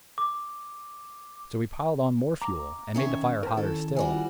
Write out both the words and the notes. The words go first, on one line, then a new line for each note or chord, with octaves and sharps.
So he piled on more fuel and made the fire hotter still.
D6
A#5 D6
D#3 C#4 D#4 E5 C#6
E2 A#4 C5
D#3 C#4 E4 A4
E3 G3 F4 F#4 C5 G#5